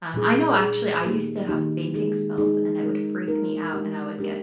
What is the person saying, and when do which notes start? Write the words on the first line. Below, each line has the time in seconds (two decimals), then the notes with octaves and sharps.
Um, I know, actually, I used to have fainting spells, and it would freak me out, and I would get,
0.14 A#2 G3 D4 G#4
0.59 A#2 G3 D4 G#4
1.03 D#3 A#3 D#4 G4
1.49 D#3 A#3 D#4 G4
1.94 G#3 D#4 G#4
2.38 G#3 D#4 G#4
2.83 G#3 D#4 A#4
3.28 G#3 D#4 A#4
3.73 G#3 D4 G4 A#4
4.17 G#3 D4 G4 A#4